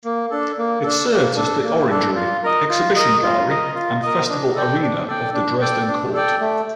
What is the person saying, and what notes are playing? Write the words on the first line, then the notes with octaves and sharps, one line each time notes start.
It served as the orangery, exhibition gallery and festival arena of the Dresden Court.
A#3
D4 A4
A#3
D4 A4
A#3
D4 A4
A#3
D4 A4
F4
A#4 D#5
F4
A#4 D#5
F4
A#4 D#5
F4
A#4 D#5
D4
A4 D5 G5
D4
A4 D5 G5
D4
A4 D5 G5
D4
A4 D5 G5
A3